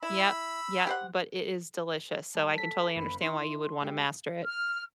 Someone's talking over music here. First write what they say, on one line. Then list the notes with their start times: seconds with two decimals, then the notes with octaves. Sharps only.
Yep, yep, but it is delicious, so I can totally understand why you would wanna master it.
0.03 E4 B5 E6
0.87 G4 C5 F#5
2.35 G3 A5
2.58 A4 B6
2.96 F#1 B5
3.21 D#3 E4 C6
3.81 G#3 G4 G5
4.45 F6